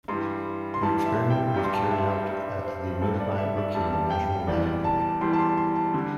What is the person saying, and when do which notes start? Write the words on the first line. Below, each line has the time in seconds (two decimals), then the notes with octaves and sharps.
The experiment was carried out at the nearby Brookhaven National Laboratory.
0.08 G2 E3 G3 C6
0.74 C6
0.81 G2 E3 G3 A5
1.06 E5
1.30 G5
1.54 G2 G3 G5
1.64 C6
1.74 A5
1.91 E5
2.11 E5
2.29 G2 G3
2.65 C5
3.01 G2 G3 A4
3.20 D5
3.38 E5
3.57 D5
3.74 G2 G3 A5
3.93 A5
4.10 G5
4.47 E2 E3 G3 D5
4.65 D5
4.84 A5
5.21 E2 E3 G3 C6
5.33 A5
5.39 C6
5.57 C6
5.75 A5
5.94 D3 G3